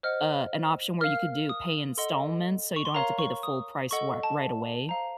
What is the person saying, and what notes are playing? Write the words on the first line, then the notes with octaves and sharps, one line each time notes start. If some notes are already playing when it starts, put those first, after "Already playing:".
uh, an option where you could do pay installments, so, you don't have to pay the full price r right away
C5 D#5 F#5 F6
A#4 F5 F6
D#6
A4 D#5 F#5 C6
C#6
C6
A#4 C#5 F5 A#5
C#6
D#6
A4 D#5 F#5 C#6
A5
C5 F5 A#5